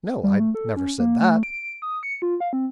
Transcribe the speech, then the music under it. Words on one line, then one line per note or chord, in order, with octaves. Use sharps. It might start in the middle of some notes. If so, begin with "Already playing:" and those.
"No, I never said that."
G3
A3
A4
C#4
A#3
A3
D7
D#6
C#7
F4
F5
C4